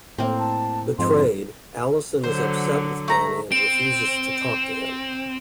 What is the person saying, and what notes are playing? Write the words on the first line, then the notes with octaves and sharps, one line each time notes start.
Betrayed, Allyson is upset with Danny and refuses to talk to him.
A2 A#3 C4
A5
F2 G#2 C6
D3 F#3 C5
A3 A#5
C4 D7